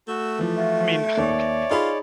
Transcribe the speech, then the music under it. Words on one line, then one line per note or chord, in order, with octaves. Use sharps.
I mean, okay,
A3 F#4 E6
E3 F3
F4 F#4 E5
D#2 C#5 D5
D#4 F4 G#4 B5